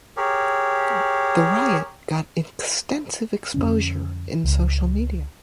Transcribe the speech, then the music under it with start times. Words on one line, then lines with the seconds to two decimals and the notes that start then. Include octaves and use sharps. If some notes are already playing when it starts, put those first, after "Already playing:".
The riot got extensive exposure in social media.
0.17 G4 G#4 A#4 C#5
3.54 F2 D3 C#4
4.44 C#2